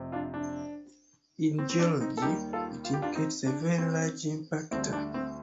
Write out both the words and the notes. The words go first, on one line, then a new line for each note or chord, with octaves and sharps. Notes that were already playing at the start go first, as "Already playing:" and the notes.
In geology, it indicates a very large impactor.
Already playing: F1 F2 C3
D4 F4
D4
C4
C4
D4
C4 D#4
A4
D#2 D#3 G3 D#4 G4
F4 A4
F4
G4
D4 F4
C4 D#4
D4
C4
D2 D3 G3 C4
D4
C4